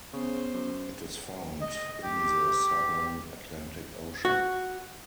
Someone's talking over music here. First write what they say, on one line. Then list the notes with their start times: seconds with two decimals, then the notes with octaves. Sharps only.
It is found in the southern Atlantic Ocean.
0.13 C#3 B3 C5
0.54 F#2
1.61 D#5
2.02 G4
4.25 F#4